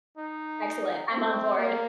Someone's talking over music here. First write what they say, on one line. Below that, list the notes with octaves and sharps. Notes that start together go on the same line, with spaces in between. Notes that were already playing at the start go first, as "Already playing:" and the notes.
excellent, I'm on board.
D#4
C4
A#3